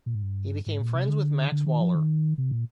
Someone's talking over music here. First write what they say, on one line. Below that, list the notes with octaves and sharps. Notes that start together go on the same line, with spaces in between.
He became friends with Max Waller.
A#2
G#2
G2
G#2
A#2
C3
D3
D3
D#3
F3
D#3
C3
A#2